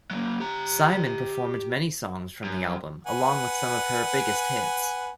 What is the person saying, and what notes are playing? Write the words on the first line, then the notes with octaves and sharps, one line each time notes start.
Simon performed many songs from the album, along with some of her biggest hits.
F#3 A#3
G4 A#5
F#2
B4 F#5 G#5